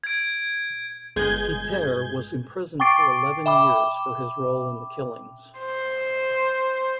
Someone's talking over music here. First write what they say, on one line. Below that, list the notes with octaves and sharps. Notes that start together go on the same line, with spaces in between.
Peiper was imprisoned for eleven years for his role in the killings.
G#6 D7
G1 G#3 G#4 G6 G#6
G5 C#6 D6 A6 C7 D7
E5 G5 B5 D6
C5